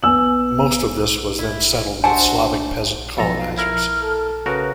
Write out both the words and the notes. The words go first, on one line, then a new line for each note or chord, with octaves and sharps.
Most of this was then settled with Slavic peasant colonisers.
B3 G#5 E6 F#7
E4
D4 F#4 C5 E5 G#5 A5
B1 F3 A4 A#5
F5
E4 A#4 F6
A4
C#3 F#4 A#4 B4